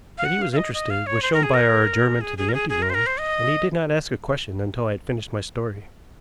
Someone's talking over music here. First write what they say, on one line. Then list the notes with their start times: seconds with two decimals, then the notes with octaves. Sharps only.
That he was interested was shown by our adjournment to the empty room, and he did not ask a question until I had finished my story.
0.18 F5
0.25 F#5
0.42 F5
0.52 F5
0.57 D#5
0.74 D#5
0.90 F5
1.07 C#5
1.22 C5
1.34 A#4
1.43 G#4
1.54 A#4
2.21 G#4
2.38 G#4
2.49 A#4
2.54 G#4
2.69 G#4
2.82 A#4
2.90 C5
2.94 A#4
3.06 C5
3.19 D#5